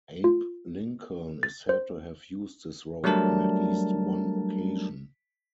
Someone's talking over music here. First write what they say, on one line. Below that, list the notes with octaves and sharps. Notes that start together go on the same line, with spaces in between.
Abe Lincoln is said to have used this road on at least one occasion.
F4
A6
C5
F#3 G3 A3 D4 A#4 A5